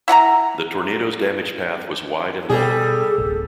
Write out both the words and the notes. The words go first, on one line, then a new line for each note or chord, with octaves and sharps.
The tornado's damage path was wide and long.
E4 F#5 G#5 A#5
B2 G3 G#4 A4
D1 A1